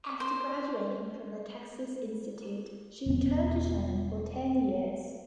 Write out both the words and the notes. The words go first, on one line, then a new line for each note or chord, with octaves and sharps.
After graduating from the Texas Institute, she returned to Sherman for ten years.
C5
E1 B3 C#4